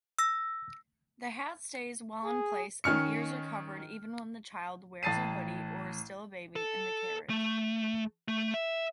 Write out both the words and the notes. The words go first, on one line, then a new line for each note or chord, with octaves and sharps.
The hat stays well in place, and the ears are covered even when the child wears a hoodie or is still a baby in the carriage.
E6 A#6
G#4
D#3 C#4 F6 C#7
A1 A5 A6 C7 D#7
A4
A3
A3
E5